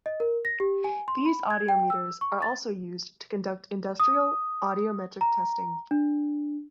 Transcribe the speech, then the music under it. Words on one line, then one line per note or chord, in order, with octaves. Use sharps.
These audiometers are also used to conduct industrial audiometric testing.
D#5
A#4
A#6
G4
G#5
C6
B5
G#6
G5
E6
C#6
A6
D#6
A#5
D4